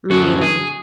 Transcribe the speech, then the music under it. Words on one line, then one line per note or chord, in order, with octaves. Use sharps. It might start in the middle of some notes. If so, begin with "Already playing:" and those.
Me either.
F#2 D3 F#3 F#4
G#4